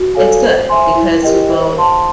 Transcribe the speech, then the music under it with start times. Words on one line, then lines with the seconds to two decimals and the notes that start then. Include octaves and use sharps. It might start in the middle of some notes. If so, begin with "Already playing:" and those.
it's good because we both
Already playing: F#4
0.15 A4 C#5 F5 G#5
0.43 C5
0.69 E5 G#5 C6
0.95 E4
1.23 G4 A#4 D#5 G5
1.50 C5
1.77 F5 A5 C6